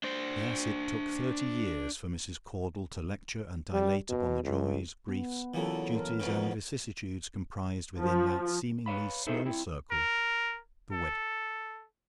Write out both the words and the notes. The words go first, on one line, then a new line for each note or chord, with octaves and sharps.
Yes, it took thirty years for Mrs. Caudle to lecture and dilate upon the joys, griefs, duties, and vicissitudes comprised within that seemingly small circle--the wedding-ring.
D4 C5
G3
B2
C#2
B3
A#2 C#3 E3 F#3 A4
A#4
F2 G#2 B2
F3
B4 C#5 F5 B5
D#4 E4 G#4 A4 C5
C4 E4
A#4
A4